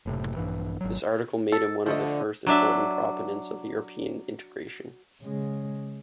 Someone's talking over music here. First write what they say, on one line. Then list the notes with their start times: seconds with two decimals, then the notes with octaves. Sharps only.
This article made him one of the first important proponents of European integration.
0.06 F#1 A2 C3
0.36 A#1 G2 E3
0.81 G#1 F#3
1.52 A4
1.86 D3 F3 A3 D#5
2.47 F#3 D4 E5
5.23 C#3 G#3